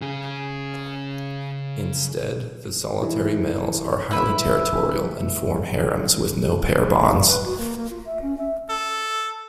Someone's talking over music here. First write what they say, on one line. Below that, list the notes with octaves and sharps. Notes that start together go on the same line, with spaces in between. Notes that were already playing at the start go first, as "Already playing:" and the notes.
Instead the solitary males are highly territorial and form harems with no pair bonds.
C#3 G#4
E3
E4 B4 E5
G#4
A#3
D5
B4
F#4
A#3
A#3
F4
E5
C#4
E5
A4